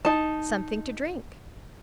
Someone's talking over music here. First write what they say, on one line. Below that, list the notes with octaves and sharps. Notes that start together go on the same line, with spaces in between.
"Something to drink."
D#4 A5